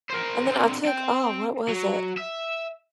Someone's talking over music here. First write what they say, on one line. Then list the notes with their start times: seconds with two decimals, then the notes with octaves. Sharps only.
And then I took Oh, what was it?
0.10 A#4 C5
0.45 D3 C4
0.85 C4 G5
1.69 F#3
2.17 E5